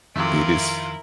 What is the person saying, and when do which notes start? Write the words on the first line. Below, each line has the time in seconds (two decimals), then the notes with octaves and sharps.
did this.
0.16 F2 C3 D#3 F#3 A3 E4 F4 A#4